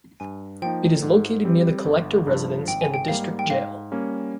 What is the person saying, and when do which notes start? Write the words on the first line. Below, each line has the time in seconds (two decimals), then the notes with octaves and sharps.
It is located near the collector residence and the district jail.
0.20 G2 G#5
0.62 F3 A#3 D#4 G5
1.02 G#2
1.44 G3 C4 G4
1.85 G1
2.27 G2 F3
2.68 G#1 G5
2.81 G#5
2.94 G5
3.08 G#2 G3 A#3 D#4 F5
3.39 G5
3.50 G#2 F5
3.92 G3 A#3 C#4